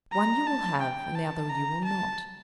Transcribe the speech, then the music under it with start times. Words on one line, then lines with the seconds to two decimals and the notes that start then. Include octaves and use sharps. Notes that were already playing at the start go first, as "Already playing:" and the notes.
One you will have, and the other you will not.
0.13 A#5
0.47 A5
0.82 G5
1.16 A5
1.50 A#5
1.85 A5